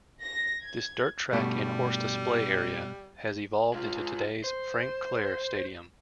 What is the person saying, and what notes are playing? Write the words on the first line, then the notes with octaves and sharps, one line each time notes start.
This dirt track and horse display area has evolved into today's Frank Clair Stadium.
A#6
G#6
G2 B2 G3 A3
G#3 F4
C5